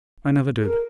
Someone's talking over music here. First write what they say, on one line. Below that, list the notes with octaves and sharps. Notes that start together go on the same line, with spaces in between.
"I never did."
G#4
A#4